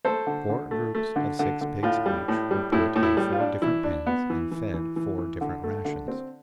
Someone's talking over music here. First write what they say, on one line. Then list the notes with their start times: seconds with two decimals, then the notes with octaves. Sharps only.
Four groups of six pigs each were put in four different pens and fed four different rations.
0.05 A3 A4 C5
0.27 D3
0.49 D3
0.71 A3
0.95 A3
1.16 D3
1.39 D3
1.61 D3
1.83 A2 F4
2.06 G3
2.28 A2
2.51 G3
2.72 A2 E4
2.96 A2
3.03 E4
3.17 G3
3.32 F4
3.40 D4
3.62 E3 E4
3.84 D4
4.07 B3
4.30 E3
4.51 E3
4.74 E3
4.96 E3
5.18 E3
5.41 D3
5.64 A3
5.85 D3
6.08 C4